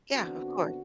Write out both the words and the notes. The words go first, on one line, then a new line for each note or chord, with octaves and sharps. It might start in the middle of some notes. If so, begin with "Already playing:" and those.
Yeah, of course.
D3 B3 C4 D4 F#4